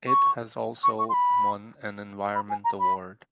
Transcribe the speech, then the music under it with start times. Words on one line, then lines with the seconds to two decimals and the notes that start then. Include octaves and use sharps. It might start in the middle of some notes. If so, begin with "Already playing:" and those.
It has also won an environment award.
0.08 C#6
0.84 C#6
0.99 C#6
1.09 C6
1.13 B5
2.35 B5
2.50 G#5
2.65 A#5
2.80 B5